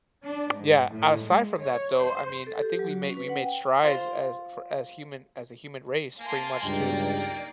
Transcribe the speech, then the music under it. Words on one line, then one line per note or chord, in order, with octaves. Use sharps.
Yeah. Aside from that, though, I mean, I think we made we made strides as for as human as a human race pretty much to,
D4
G#2
A2
G#3
C#5
C5
A4
G4
F#3
F#4
C#4
B4
F#5
G5
F4 C5
A#3 F5 G#5 A5 C6
C#2 G2 D#4 D5 G5